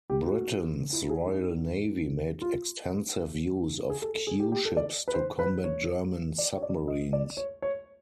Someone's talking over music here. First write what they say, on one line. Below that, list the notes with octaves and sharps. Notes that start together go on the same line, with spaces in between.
Britain's Royal Navy made extensive use of Q-ships to combat German submarines.
G4
F#4
E4
G#4
D#4
F4
G#4
A4
A4
G#4
G4
G4
A4
D5
B4
C5
B4
C#5
D5
C#5
D5
D#5
D5
C#5
C#5